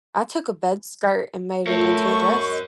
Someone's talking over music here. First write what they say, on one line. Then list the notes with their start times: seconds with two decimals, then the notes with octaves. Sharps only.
I took a bed skirt and made it into a dress.
1.67 A3 F4 A#4 C#5
2.04 D#5 C#6